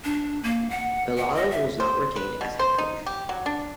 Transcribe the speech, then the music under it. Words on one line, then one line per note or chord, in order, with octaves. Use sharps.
Belisle was not retained as head coach.
D4
A#3
F#5
F#5
D#5
E5
C5
B4
B2
C5
D#4
G4
F#3
D4